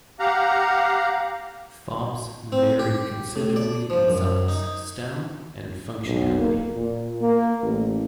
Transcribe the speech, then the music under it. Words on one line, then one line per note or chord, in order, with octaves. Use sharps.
Fobs vary considerably in size, style and functionality.
G4 F5 F#5 A#5
C4
G4
A2
D5
F3
F#2
D#4
B1
A#3
A#2
A#3
A1